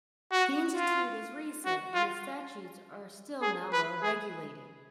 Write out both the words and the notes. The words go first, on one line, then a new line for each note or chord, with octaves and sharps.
The institute is recent and its statutes are still not well regulated.
F#4
F4
F#4
F4
G#4
B4
G#4